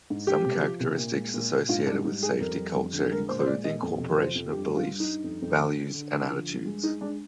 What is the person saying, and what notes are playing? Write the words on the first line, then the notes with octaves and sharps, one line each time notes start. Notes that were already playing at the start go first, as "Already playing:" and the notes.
Some characteristics associated with safety culture include the incorporation of beliefs, values and attitudes.
G#2
G#3 G4
C3
F3
C3
A#2
G#3
A#2
A#2
G#2 F4
G3 D4
G#2 D#4
G3 G#4
F2 A#4
G3
F2
D3
G#3 A#4
A#2 C5
C5
G#3 D5
A#2 D#5
F2
C3
F3 C5
F2
G2 G4
G2
F4
G2
D#4
G2
F2
F2
D3
D3
D3
D3
F3
G2
G#3
G#3 D#4
G#3 D4